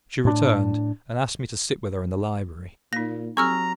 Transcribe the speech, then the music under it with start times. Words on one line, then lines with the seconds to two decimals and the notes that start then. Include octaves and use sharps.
She returned, and asked me to sit with her in the library.
0.25 A2 D4
2.93 A#2 A#3 D#4 A#6
3.37 F#3 C4 G4 A4 A#5 C#6 E6 F6